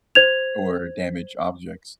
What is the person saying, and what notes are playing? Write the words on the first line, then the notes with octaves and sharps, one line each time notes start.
or damage objects.
C5 G#6 F7